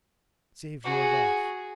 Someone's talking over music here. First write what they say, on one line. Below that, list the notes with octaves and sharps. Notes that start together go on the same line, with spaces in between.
Save your life!
F#4 G#4